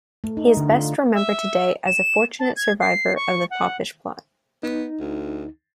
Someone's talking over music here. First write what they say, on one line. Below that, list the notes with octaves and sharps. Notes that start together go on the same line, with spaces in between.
He is best remembered today as a fortunate survivor of the Popish Plot.
A3
D#4
D3
F4
E5
E7
A5
G#6
C7
C#6
F#5
B3 D#4
D2